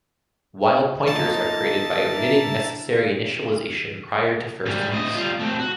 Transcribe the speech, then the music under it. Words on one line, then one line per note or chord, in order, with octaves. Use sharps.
Wild pointers are created by omitting necessary initialization prior to first use.
A#3 D#4 F4 A4 D#5 A5
D4 E4 A#4 E5
G#2 G3
A2 D#5
G3 F4
A3 C4
F#4